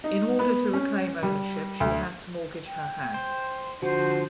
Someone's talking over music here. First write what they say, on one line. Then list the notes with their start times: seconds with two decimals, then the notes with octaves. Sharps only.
In order to reclaim ownership she had to mortgage her house.
0.04 D#4
0.39 B3
0.74 C#4
1.23 G3
1.80 D2
2.68 G5
3.14 C5
3.82 D3 F3 F#4 C5